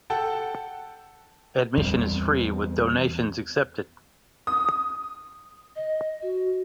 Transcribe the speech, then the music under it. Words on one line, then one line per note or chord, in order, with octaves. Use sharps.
Admission is free, with donations accepted.
A4 F#5 G5 A5
E2 G3 C4
D#6
D#5
F#4